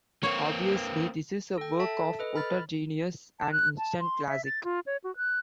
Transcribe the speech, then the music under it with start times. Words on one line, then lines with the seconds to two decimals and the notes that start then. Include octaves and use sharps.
Obviously this is a work of utter genius, an instant classic.
0.23 A#3 C4 C#5
1.58 A4 G5
1.79 A4 E5 A5
2.19 A4 B4 D#5
2.35 B5 F6 A6
3.40 A5
3.52 F#6
3.78 A5
3.99 C6
4.28 E5
4.45 A6
4.64 F4
4.86 C#5
5.04 F#4
5.17 F#6